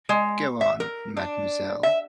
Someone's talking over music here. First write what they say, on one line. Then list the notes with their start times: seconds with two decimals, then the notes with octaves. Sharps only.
Go on, Mademoiselle.
0.09 G#3
0.61 E5
0.80 A#4
1.17 D4
1.83 E5